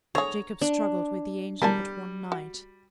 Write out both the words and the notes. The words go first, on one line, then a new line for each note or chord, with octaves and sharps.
Jacob struggled with the angel but one night.
D3 G#4 C#5 A#5
D4
G3 A#4 G#5 A5
F#4